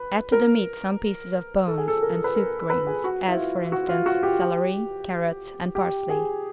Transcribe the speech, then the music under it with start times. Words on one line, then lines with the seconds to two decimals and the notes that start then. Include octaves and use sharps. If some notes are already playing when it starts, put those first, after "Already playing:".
Add to the meat some pieces of bones and "soup greens" as, for instance, celery, carrots and parsley.
Already playing: B4
0.32 A#4
1.67 A4
1.78 G#4
1.88 A4
2.02 A#4
2.24 B4
2.36 A#4
2.70 B4
2.87 G#4
3.04 F#4
3.28 E4
3.37 F4
3.72 F#4
3.89 F4
4.06 F#4
4.23 G4
5.75 G4
6.09 G#4